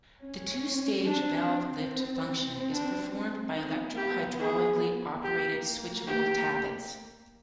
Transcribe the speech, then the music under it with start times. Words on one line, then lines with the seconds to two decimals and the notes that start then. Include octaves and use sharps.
The two-stage valve-lift function is performed by electro-hydraulically operated switchable tappets.
0.20 C#4
1.03 C4 D4
2.71 D4
3.55 B3 D#4
3.97 G4
4.39 G#4
5.22 A#3 G4
6.07 G4